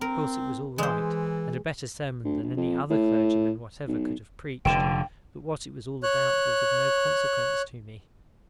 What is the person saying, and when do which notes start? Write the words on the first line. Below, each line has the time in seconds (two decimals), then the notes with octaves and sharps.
Of course it was all right, and a better sermon than any other clergyman whatever could have preached, but what it was all about was of no consequence to me.
0.01 C4 A#4
0.78 E3 G#3 C5
2.24 D2
2.43 A#1
2.57 F2
2.90 A2
3.88 B1
4.65 F1 D3 G5 E7
6.03 C#5 F#6